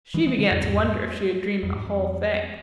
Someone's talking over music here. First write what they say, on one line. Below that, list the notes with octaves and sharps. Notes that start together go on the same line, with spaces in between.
She began to wonder if she had dreamed the whole thing.
E3 G#3
E3 G#3
D3 F3
F2 A2
E2 G#2
F2
G#2
F2